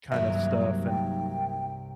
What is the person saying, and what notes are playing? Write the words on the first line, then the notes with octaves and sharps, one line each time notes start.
kinda stuff, and,
C2 G2 D#3 F#3 A#3 E5
G5